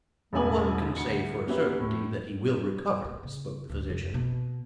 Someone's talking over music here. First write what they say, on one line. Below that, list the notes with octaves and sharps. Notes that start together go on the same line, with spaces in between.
"No one can say for a certainty that he will recover," spoke the physician.
E1 A1 F#2 E5 G#5 F#7
D2 C#7
A#3 C#4 F#4 G4 B4 E5
A2
B3
C#3
D2
F1
B2